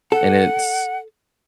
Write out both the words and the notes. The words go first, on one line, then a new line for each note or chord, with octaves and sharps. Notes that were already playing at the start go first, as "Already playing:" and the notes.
And it's
A4 F#5